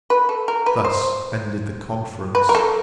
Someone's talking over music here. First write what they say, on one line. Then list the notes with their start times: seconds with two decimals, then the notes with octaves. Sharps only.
Thus ended the conference.
0.10 B4
0.29 A4
0.48 A#4
0.66 B4
0.85 C5
2.35 B4
2.49 A#4
2.55 A4